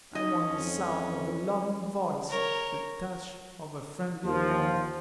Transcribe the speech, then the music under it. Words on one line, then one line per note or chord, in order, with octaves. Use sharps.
"I want the sound of a loving voice; the touch of a friendly hand."
C#4 D#4 D#5
F2
A#4 C#5
D#2 F3